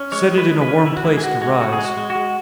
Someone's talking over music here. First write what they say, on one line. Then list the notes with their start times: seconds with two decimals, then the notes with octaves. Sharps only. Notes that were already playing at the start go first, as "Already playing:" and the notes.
Set it in a warm place to rise.
Already playing: C#4
0.12 G#3 C#5
0.31 G#3
0.38 B4
0.50 G#3
0.61 B4
0.68 C#4
0.86 E3 E4
0.96 F#4
1.04 G#3 E4
1.17 G#4
1.23 G#3 F#4
1.41 G#3 F#4
1.61 C#3 F#4
1.73 G#4
1.78 G#3
1.85 F#4
1.97 G#3
2.10 F#4
2.15 G#3